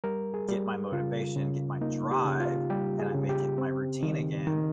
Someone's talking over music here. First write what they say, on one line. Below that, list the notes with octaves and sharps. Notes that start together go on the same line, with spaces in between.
get my motivation, get my drive, and I make it my routine again,
G3 A#4
G#4
G3
C#3 F4
C#3
A#3 D#4
G4
C#3
F4
G3 G4
G#4
C#3
G4
C4
D#3
D#3